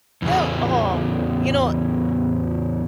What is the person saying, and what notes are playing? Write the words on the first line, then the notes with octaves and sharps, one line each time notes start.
the oh, you know,
E2 A2 C#3 G#4